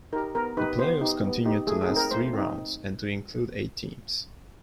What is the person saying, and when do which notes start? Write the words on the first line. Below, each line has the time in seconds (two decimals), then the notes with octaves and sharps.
The playoffs continued to last three rounds and to include eight teams.
0.13 D#4 G4 A#4
0.35 B3 A#4
0.57 D#4 G4 B4
0.79 B3 C5
1.01 D#4 G4
1.23 B3
1.46 D#4 G4
1.67 A3 G#4
1.82 G#4
1.89 C4 D#4
1.97 A#4
2.11 A3 C5
2.33 C4 D#4